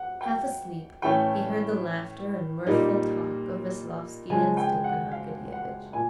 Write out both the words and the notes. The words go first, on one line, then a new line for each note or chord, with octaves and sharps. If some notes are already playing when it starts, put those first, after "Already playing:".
Half asleep, he heard the laughter and mirthful talk of Veslovsky and Stepan Arkadyevitch.
Already playing: F#5
G5
A2 E3 A3 C#4 G5
A#2 G3 A#3 D#4
C#3 F3 G#3 G#5
G5
F#5
F5
F#5
A#2 G#5